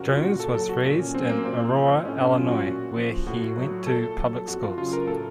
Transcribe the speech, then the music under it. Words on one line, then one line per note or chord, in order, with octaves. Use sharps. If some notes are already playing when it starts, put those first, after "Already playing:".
Jones was raised in Aurora, Illinois, where he went to public schools.
Already playing: F#2 C#3 F3 F#4 A#4
F4
A#2 F#4
A4
F#3 A4
F#4
A#2
C#4
F#3 C4
A#3
A#2 C4
F3
A2 C#4
C#4
F#3 F4
F#4
A#2
F3
A2 F#4
F#3
A#2 A4
F#3
F2 F#4
F4
C#3 F#3 F4
A#4
A2 A4